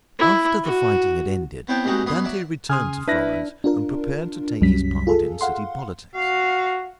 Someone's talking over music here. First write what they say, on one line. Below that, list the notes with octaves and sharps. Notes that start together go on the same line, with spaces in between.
After the fighting had ended, Dante returned to Florence and prepared to take his part in city politics.
E4
F#4
B3 C4 E4 C#5 G5 A5
A#2 G3 G#3 C4 D#4 F#4
F#2 B2 B4 C6 D#6
F#3 D5 E5
C#3 G#5 C6 D#6 F6
D4 E4 B4 A#6
D4 F4 A#4
C2 F#2 F#3 G3 C#4 B6
F4 G#4 A4
F5 F#5 C6
F#4 F5